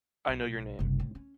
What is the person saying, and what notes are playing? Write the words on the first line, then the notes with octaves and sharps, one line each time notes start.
I know your name.
B1
F#1 C2
A2
C#4